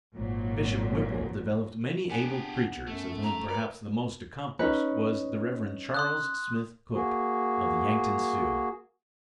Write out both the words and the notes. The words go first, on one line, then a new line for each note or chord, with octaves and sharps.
Bishop Whipple developed many able preachers, of whom perhaps the most accomplished was the Rev. Charles Smith Cook, of the Yankton Sioux.
G#1 A#2 F#3
B3 D4 G4 G#4 F#5 G#5
F#2 A3
A#5
A#4 B4 C#5 D5
C#4 D#4 B4
C6 D#6 F#6
A#3 F#4 G#4